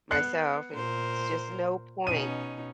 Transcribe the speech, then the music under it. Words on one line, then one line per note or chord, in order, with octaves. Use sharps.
myself, and it's just no point.
B3 F#6 C7 C#7
A#2 A#4 C5
B2 C#4 D#4 D#7